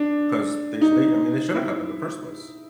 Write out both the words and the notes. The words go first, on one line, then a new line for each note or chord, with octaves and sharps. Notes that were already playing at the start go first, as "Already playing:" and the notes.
'cause they sh they I mean, they shouldn't happen in the first place.
Already playing: D4
D#4
E4